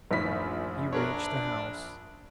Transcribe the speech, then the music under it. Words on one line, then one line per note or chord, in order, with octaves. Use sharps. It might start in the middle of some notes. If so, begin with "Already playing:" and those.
He reached the house.
A#1 F#2 A2 D#3 F3 B5 B6
D4 A#4 B4 C#5